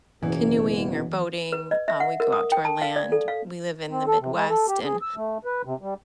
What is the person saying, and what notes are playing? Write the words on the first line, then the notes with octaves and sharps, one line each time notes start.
canoeing or boating, um, we go out to our land. We live in the Midwest, and
F#1 E2 B2 E3
B4
D#5
E5
F#5
A#4
D#6
G5
A5
F5
D5
A4
F5
C4
A4
C3
G#3
A4
G4
G#4
E6
A3
B4
C3
G3